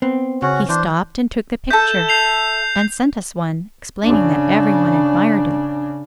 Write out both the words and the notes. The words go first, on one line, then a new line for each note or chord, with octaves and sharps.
He stopped and took the picture and sent us one, explaining that every one admired it.
B3 C4
C#3 C#4 F#4
E3 D4 C5
A4 E5 G6
G6 C7 F7
C#3 D4